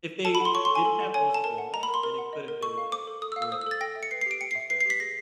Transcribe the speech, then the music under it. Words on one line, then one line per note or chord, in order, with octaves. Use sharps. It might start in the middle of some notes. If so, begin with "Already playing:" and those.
if they didn't have those flaws, then it could've been, like, worthy of those movie of those awards.
A4 A5
B5
F#5
C6
C#5 C#6
C6
A4 G#5
A4
F#5
C#5 G#5
A4 A5
A#4 A5
F#5
D#5 A#5
B5
A#4
C6
A#4
F#5
D#5
A#4
A4 C#6
F5
C5 D6
A4
A4 D#6
E6
F5
E6
C5 D#6
E6
A4 A6
G5 A#6
E5
C#7
B4 C7
C7
G4 D7
G5 C#7
C7
E5
B4 C7
C7
G4 B6
G#4 A#6